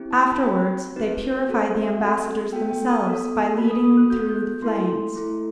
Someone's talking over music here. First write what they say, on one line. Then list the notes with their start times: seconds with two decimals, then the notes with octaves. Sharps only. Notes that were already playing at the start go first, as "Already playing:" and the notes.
Afterwards they purified the ambassadors themselves by leading them through the flames.
Already playing: C4 E4 G4
0.11 A5
0.18 B5
0.31 B5
0.43 C4 D#4 F#4 G5
0.96 C4 D#4 F#4 B4
1.48 C4 F#4 A4 C5
1.83 E5
2.00 C4 F#4 A4 F#5
2.52 B3 F#4 A4 G5
2.71 G5
2.89 D#6
3.05 B3 F#4 A4
3.58 B3 F#4 A4 B5
3.71 D#6
3.84 D#6
3.97 F#6
4.10 B3 F#4 A4 G6
4.29 G6
4.62 A3 E4 A4 C6
5.15 A3 E4 A4